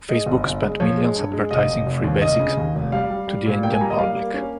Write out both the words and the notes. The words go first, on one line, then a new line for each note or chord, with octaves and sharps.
Facebook spent millions advertising Free Basics to the Indian public.
G#3 D#5
G1
G1
G#3
F3 C#5
G#3
G2
G#3
F1 D#5
F1
F1
D#2
F1 D#5
C#3
D#2
F1
G3 F5
G3
G3
A#2
A#3 G5
G#5
G3 A#5
D#5
G3 F5
A#3
C#4